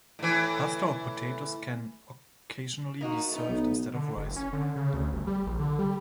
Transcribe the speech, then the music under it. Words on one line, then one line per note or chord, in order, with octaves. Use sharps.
Pasta or potatoes can occasionally be served instead of rice.
A2 E3
A#3 D#4 F#4
A3 B3 D#4
B1
D3
F#1
C#4
D3
C#3
D2
G1
G3
A#1
D3
G3